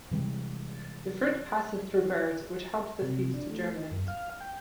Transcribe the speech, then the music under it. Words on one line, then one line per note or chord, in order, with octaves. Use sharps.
The fruit passes through birds, which helps the seeds to germinate.
C3 E3 G3 G#3
C3
D4
A3
D#4
F#2
F5
G5